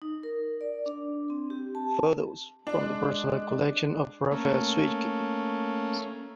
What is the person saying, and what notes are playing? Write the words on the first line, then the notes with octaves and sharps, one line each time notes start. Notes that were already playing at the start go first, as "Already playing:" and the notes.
Photos from the personal collection of Rafal Swiecki.
D#4
A#4
D5
D4
C4
G4
A5
G#3 D4
A3 A#3 C#4